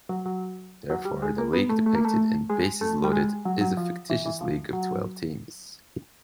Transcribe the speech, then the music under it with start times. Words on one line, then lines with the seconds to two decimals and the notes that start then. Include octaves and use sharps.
Therefore, the league depicted in "Bases Loaded" is a fictitious league of twelve teams.
0.09 F#3
0.26 F#3
0.90 F#3
1.05 G3
1.22 G#3
1.38 A#3
1.53 B3
1.69 A3
1.86 A3
1.95 A#3
2.05 A3
2.50 G#3
2.81 A3
3.04 G3
3.13 G#3
3.45 F#3
3.61 F#3
3.77 F3
4.10 E3
4.26 E3
4.41 F3
4.73 F#3